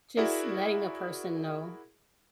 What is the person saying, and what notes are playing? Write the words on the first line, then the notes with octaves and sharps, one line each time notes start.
just letting a person know.
E4 F#4 G#4 A#4 D5 E5